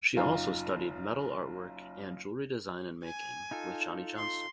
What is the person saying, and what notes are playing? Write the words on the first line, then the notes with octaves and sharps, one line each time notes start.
She also studied metal artwork and jewellery design and making with Johnny Johnstone.
F#1 D#4 F4 F5 G#5 A#5
G#5
D#4 F4 A4
C6